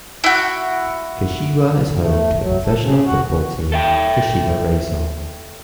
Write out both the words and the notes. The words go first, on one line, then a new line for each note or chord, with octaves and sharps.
Kashiwa is home to the professional football team Kashiwa Reysol.
E4 F#4
A3
F#3
A4
C#3
F#4
A4 E5 G5